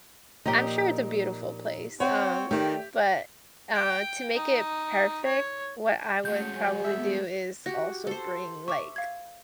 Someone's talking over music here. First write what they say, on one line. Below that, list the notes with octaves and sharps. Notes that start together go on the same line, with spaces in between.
I'm sure it's a beautiful place, um, but, uh, to make it perfect, what I would probably do is also bring, like,
A#2 F3 D#4 G4 D#5 A#5
C4 C#5 F#5
D#3 A3 G4 D5 G5
G5
D#4
C#5
G#3 A3 F#4 G6
C#4
F#3 G#5
E5
B3
F#4 G4 A#6
A4 C5
E5 C#6 D6
F5 G#6